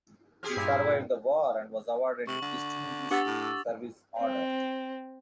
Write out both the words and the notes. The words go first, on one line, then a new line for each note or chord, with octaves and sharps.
He survived the war and was awarded a Distinguished Service Order.
C4 G4 G#4 F6 G#6 C7
G2 A#2 E4
C3 C#6 F#7
D3
B3 D4 G4 F#5 D6 E6 A6
A2
C4